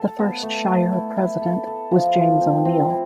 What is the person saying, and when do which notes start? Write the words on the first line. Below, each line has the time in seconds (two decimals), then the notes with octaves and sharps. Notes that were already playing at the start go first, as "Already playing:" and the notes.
The first Shire President was James O'Neill.
Already playing: A4
0.19 B3
0.43 A3
0.68 A4
0.93 E4
1.17 E4
1.42 A4
1.67 A4
1.91 F3
2.16 F3
2.41 C4
2.65 C4
2.90 E4